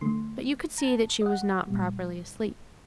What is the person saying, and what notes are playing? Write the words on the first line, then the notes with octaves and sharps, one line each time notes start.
But you could see that she was not properly asleep....
D3 A3 C6
A#5
A5
D#5
F#5
A#2 G3